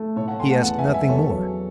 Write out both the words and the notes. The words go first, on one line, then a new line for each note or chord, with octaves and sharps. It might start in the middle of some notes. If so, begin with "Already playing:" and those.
He asked nothing more!
Already playing: A3
A2 A4 C#5
F#5 A5
A3 G#5 C6
F#5 A5
E2 F#5 A5
E5 G#5
G#3
E5 G#5
E2 A4 C#5
F#3